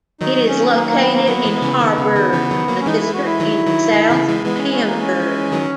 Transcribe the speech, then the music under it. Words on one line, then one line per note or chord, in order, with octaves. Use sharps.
It is located in Harburg, a district in the south of Hamburg.
D#3 F#3 D#4
C#4
A#3
A#3
B3
A#3
F#3 A#3 B3
E3 G#3
B3
C#3 E3
D#3 B3
C#3
D#3
C#3 E3
D#3 F#3
F#3 A#3
C#4
E3 G#3 D#4
E4
F#4
E4
D#3 F#3
D#3 F#3
D#3
C#3 E3
E3 G#3
E3 G#3 B3
C#4
A#3
C#4
D#3 F#3